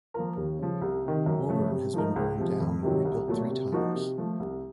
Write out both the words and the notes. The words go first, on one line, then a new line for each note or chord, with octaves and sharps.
Woburn has been burned down and rebuilt three times.
F3 A#3 F4 A#4
D#2
C#3 F3
C2
C3 D#3
F#2
C#3 F3 A3
C3
F3 A3 D#4 A#4
C#2
C3 F3
F2
C3 D#3 F#3
C2
A#2 F#3 A3
C3
F3 A#3 D#4 F#4
C3
F3 A3
C2